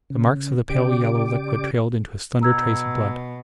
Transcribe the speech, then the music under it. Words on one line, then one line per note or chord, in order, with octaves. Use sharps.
The marks of the pale yellow liquid trailed into a slender trace of blood.
C#3
C#3 G4 D5 D6
B2 A#5 E6 G#6